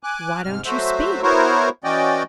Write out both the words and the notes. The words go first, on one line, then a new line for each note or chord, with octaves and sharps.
Why don't you speak?
G#5 D6 F#6
G#2 C3 F6
F#3 A3 F#4 C5 E5
B3 E4 F#4 A#4 C5 C#5
E3 C#4 F#4 D5 D#5 G5